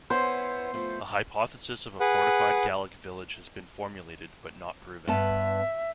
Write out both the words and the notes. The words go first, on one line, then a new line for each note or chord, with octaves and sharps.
A hypothesis of a fortified Gallic village has been formulated, but not proven.
B3 C#4 E4 C5
F3 A3
G#4 B4 F#5
G2 B3 E5 A5